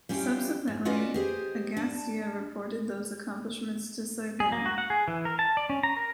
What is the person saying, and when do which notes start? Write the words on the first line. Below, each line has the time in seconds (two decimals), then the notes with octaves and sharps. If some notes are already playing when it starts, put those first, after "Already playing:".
Subsequently, Agastya reported those accomplishments to Sivan.
0.09 G3 C#4 D4 E4 F4 G4
0.68 G#2
0.85 C#4 F4 F#4 B4 D5 D#5
1.14 G4 G#4 C5 D#5
1.77 D4 A5
4.40 G#4
4.52 A#3
4.66 F#4
4.78 F#5
4.90 G#4
5.08 E3
5.25 A#4
5.39 A5
5.57 D5
5.70 C#4
5.83 A#5
5.96 A#4